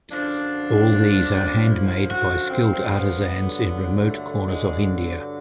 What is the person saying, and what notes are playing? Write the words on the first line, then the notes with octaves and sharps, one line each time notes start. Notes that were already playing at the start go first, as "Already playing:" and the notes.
All these are handmade by skilled artisans in remote corners of India.
F#2 D3 F3 D4
E4
F#4
C4
B3
G2 D3 F#3
A3
G#3